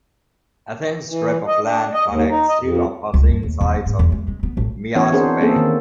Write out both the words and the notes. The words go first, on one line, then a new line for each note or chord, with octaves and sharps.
A thin strip of land connects two opposing sides of Miyazu Bay.
E3
D#5
D4
D#5
D#2
D#4
D#5
F2
C#2
G2
D#2
E2
A3
G#2
E2
G#3
G#3
B3
A1
E3 B3 C#4 E4 F#4 C#5
C4 D4 G#4 A#4 C5
A#3 C4 C#4 G#4 A4
D#3